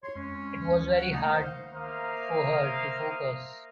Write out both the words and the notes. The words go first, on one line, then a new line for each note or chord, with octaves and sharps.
It was very hard for her to focus.
C#5 C6
F2 G#3 C#4
D2
F#5
A3 A#3 D#4
D#3 C5 F5
A#3 A#4 C5 E5 F5 D#6